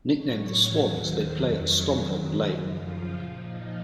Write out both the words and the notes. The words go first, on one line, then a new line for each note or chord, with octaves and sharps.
Nicknamed the Swans, they play at Stompond Lane.
A2 F#3 C#5
D#2 D#3 F#3
C5
F2 D#3 F#3 D#5
C#5
F#2 D#3 F#3
D#4
F#2 C#3 F3 F4
A#2 F3 F4
D#4